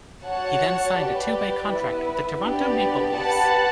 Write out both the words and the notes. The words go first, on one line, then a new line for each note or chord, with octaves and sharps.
He then signed a two-way contract with the Toronto Maple Leafs.
F#4 C#5 F#5 A5
G4 B4 D5
B3 E4 B4
B3 D4 G4 D5
G4 B4 F#5 A5